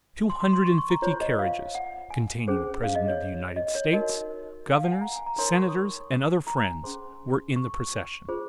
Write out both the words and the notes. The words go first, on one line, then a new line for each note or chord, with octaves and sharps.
Two hundred and fifty carriages, containing the President of the United States, governors, senators, and other friends, were in the procession.
C6
C6
C6
C#6
C#6
A#5
F4 C5 C#5
D#5
F5
F#5
G#5
C#4 G#4 C5
F5
D#5
C#5
D#5
C#5
D#4 F#4 A#4 D#5
F5
F#5
G#5
A#5
G#5
A#5
D#4 A#4 C#5 C6
C#6
D#6
C#6
A#5
G#5
C#4 G#4 C5 C6
C#6
C#6
F4 G#4 C5